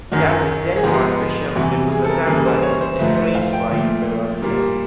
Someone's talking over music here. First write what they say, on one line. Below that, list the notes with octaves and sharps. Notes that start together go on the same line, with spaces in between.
Gambit then fought Bishop and was attacked by his estranged wife Bella Donna.
F#2 D#3 F#3 F#4
G#4
G#2 F3 G#3 B3 G4
E2 C3 E3 G3 F#4
G#4
A4
A#4
C#3 E3 G3 A#3 B4
C5
C#5
C5
G#2 F3 A3 B4
C5
F5
G5
A#2 F3 A3
A#2 G3 A#3